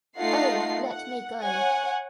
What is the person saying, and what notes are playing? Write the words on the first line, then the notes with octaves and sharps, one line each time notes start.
Oh, let me go!
A3 D#4 F4 F#5 C7
F#5
C#5 F#5 G#5